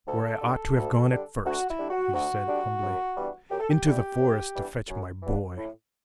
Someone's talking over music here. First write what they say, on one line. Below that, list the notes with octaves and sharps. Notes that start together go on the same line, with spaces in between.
"Where I ought to have gone at first," he said humbly; "into the forest to fetch my boy."
D2 A4
D3 G3 D4
D2
D3 G3 D4
D2 F#4
E4
D3 G3 D4
F#4
D2 F#4
D3 G3 D4
F#2
E3 G3 B3 D4
F#2 G4
A4
G4
E3 G3 B3 D4
F#2
E3 G3 B3 D4
F#2
E3 G3 B3 D4
A2